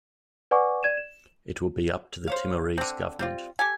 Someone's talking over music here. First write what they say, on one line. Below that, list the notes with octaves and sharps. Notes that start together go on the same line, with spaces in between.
It will be up to the Timorese government.
B4 D5 F#5 G#5 C#6 D6
D5 G#6 D#7 E7
E7
C5 C#5 F5
D3 C4
G3 C4 F4
G4 A4 G#5